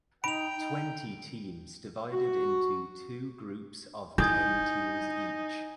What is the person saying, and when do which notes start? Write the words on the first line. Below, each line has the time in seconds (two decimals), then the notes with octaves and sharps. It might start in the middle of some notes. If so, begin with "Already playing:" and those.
Twenty teams divided into two groups of ten teams each.
0.24 D#4 G5 B5 D7 F7
0.56 D#4
2.12 F#4
4.18 D#4 E4 G#5 D#6 G6 G#6